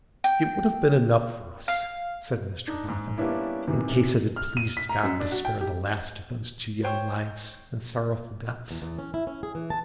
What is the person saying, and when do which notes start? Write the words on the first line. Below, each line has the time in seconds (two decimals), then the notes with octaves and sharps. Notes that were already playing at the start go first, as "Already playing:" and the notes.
'It would have been enough for us,' said Mr Boffin, 'in case it had pleased God to spare the last of those two young lives and sorrowful deaths.
0.24 G5
1.68 F5
2.68 D4 D#4
2.88 G#2
3.18 G3 A#3 B3 C#4 D4 E4
3.67 G#2 C3 D#3 E3 F#3
4.36 F6
4.57 D#7
4.77 B6
4.89 A#5
5.04 F#2
5.20 D4
5.32 F#4
5.45 G5
5.61 G4
6.83 C5 C#5 G5
8.71 E2
8.82 E2
8.99 C#4
9.14 E4
9.27 C#4
9.43 G#4
9.55 E3
9.70 A5